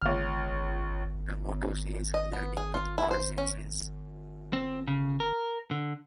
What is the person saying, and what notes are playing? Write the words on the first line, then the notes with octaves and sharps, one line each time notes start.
The motto says: “learning with all senses”.
C#2 F6
D#5
B3
G#4
F4
E4
C5
C#4
C4
C#3
A#4
D3